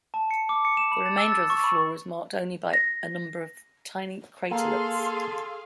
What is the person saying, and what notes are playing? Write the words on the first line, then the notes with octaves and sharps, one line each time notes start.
The remainder of the floor is marked only by a number of tiny craterlets.
A5
C#7
D6
C#7
E7
B5
A6
E6
A6
C#6
B5
A#6
A#3 G#4 A4 F5 C6